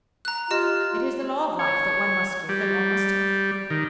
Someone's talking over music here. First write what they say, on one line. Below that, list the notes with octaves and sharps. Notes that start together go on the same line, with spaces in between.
It is the law of life that one must give, and one must take.
A#5 F#6
F4 G4 D#5
C#5
G3
D#3